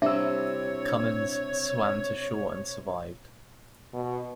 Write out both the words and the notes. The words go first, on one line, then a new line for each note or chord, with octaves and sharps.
Cummins swam to shore and survived.
C3 G3 D4 E4 C#5 E5 E6
B2